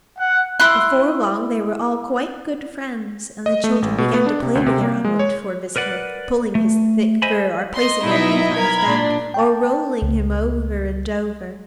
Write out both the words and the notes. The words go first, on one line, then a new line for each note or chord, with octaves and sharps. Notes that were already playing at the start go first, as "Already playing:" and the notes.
Before long they were all quite good friends, and the children began to play with their unlooked for visitor, pulling his thick fur, or placing their feet on his back, or rolling him over and over.
F#5
E4 C6 F#6
D#5
A3
A1
B2
B3
D4
C3
D2
C3
A#3
G#3
C#5
A#4 B4 D5 F#5
A3
C5 D#5 E5 G#5 B5
D#5 C6
B2 F#3 D#4 E4 D#5 E5
A#4 B5 G#6
A#2 D4
G5 A5
C#2